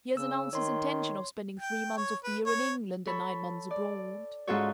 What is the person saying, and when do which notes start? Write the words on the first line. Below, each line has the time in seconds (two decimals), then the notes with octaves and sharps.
He has announced his intention of spending three months of the year in England and nine months abroad.
0.17 C#3 E6
0.53 D#3 C#5 C6
1.60 G5
1.97 C#5
2.24 B4
2.46 C#5
3.07 A4 C#5 B5
3.71 D5
4.47 G#2 C#4 F4 F#4 A4 C#5